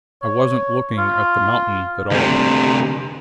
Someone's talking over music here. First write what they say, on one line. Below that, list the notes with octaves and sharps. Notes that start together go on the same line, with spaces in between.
I wasn't looking at the mountain at all.
C#5
F4
D2 C3